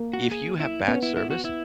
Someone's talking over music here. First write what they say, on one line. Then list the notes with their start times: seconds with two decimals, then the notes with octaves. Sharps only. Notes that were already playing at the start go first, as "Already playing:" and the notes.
if you have bad service,
Already playing: A#3
0.13 F#4
0.32 G#4
0.60 E4
0.88 B3 C#4
1.03 E4
1.17 E4
1.30 F#4
1.45 E4